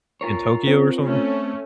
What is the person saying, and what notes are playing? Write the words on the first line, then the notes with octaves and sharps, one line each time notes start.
in Tokyo or something?
F4 A#4 C#5
C4
A3 C#4